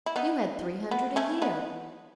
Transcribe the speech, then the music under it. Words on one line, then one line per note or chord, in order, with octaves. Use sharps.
You had three hundred a year.'
E4
B3 D#4
B3
A3 C#4
B3 D#4